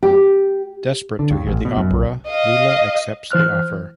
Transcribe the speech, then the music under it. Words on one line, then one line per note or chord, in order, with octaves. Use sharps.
Desperate to hear the opera, Leela accepts the offer.
G4
D3
D#2
A1
B2
F#2
B1
D#5 F5
E3 C5 F6 F#6